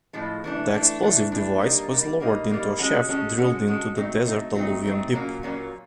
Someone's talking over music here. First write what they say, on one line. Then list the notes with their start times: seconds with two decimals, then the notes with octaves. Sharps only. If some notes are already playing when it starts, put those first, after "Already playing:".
The explosive device was lowered into a shaft drilled into the desert alluvium deep.
0.13 A2 F3 G#3
0.44 E3 A3 D4
0.73 E3 A3 D4
1.02 E3 A3 D4
1.31 E3 A3 D4
1.60 G3 A#3 D#4
1.90 G3 A#3 D#4
2.20 G3 A#3 D#4
2.49 G3 A#3 D#4
2.78 G#3 C#4 F#4 A4
3.08 G#3 C#4 F#4 A4
3.37 G#3 C#4 F#4 A4
3.67 G#3 C#4 F#4 A4
3.96 F#3 A3 C4 D#4
4.25 F#3 A3 C4 D#4
4.54 F#3 A3 C4 D#4
4.84 F#3 A3 C4 D#4
5.14 A#2 F#3 A#3 C#4
5.43 A#2 F#3 A#3 C#4